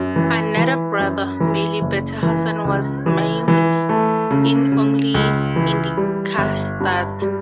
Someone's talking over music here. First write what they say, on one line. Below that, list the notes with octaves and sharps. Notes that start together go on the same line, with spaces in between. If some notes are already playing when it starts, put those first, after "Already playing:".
Another brother, Merle Bettenhausen, was maimed in his only Indy Car start.
Already playing: F#2
E3
E3
F#2
E3
F#1
E3
C#2
E3
E3
A3
C#3
C#3
C#2
E3
G3
G1
G2
G3